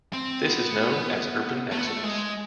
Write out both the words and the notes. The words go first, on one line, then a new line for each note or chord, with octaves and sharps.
This is known as urban exodus.
C4
B3
A3
B3
A3
G#3